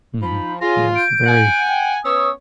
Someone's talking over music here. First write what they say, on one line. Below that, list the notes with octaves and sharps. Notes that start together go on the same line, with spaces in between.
Mhm, yes, very,
F3 D#4 B5
F4 G#4 C#5 G#5 A#6
G6 D7
F#5 G#5
G5
B3 C#4 B4 C#5 D#6 E6